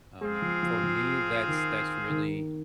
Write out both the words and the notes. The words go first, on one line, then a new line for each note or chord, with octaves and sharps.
um, for me, that's that's really
G#3 C4 G#4 F5
F3
F3
F3
D#3
D#3